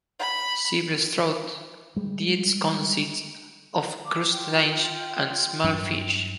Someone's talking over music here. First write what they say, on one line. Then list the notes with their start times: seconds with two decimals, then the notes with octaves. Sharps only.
Silver seatrout diets consist of crustaceans and small fish.
0.19 B5
1.96 G3 G#3
4.04 D6
4.32 F4 G5
5.64 G2 F#3 D4